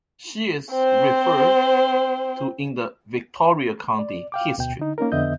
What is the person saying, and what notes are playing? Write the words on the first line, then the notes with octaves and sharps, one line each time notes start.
She is referred to in the "Victoria County History".
C4 C5
D5
F5 G5 D6
D2 B2 G5
D3 D#4
A#3 C#4 D#4 A#4
F2 D3 B3 D#5 E5 G6